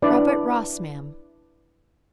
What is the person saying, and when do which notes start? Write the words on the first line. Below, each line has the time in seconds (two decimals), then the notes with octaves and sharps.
"Robert Ross, ma'am."
0.02 D4 E4 B4 D5